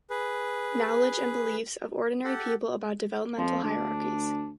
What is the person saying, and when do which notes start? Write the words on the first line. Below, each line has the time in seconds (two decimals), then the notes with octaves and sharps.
Knowledge and Beliefs of Ordinary People about Developmental Hierarchies.
0.10 G#4 B4
2.25 G4 A4 F#5
3.38 F2 F3
3.64 D2 D4